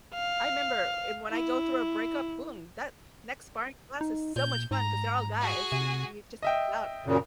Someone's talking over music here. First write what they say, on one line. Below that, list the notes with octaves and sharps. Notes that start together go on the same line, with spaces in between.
I member and when I go through a breakup, boom. That next sparring class is so much fun 'cause they're all guys, and you just take it out,
F5
E4
D#4
A#2 G6
G#2 A#5
F#4 G#4
C3
D#5 E5 G5
F#2 A#2 C#3